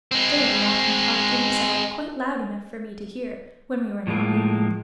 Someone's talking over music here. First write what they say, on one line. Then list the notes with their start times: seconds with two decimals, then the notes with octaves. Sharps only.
Jerry often talked to himself quite loud enough for me to hear when we were not moving.
0.11 G#3 C4
4.07 A2 F3 G#3 A#3